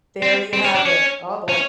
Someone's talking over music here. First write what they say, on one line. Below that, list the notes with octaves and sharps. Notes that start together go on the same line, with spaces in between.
There you have it. Oh, boy.
C4
C4
C#4
D4
C#4
C#4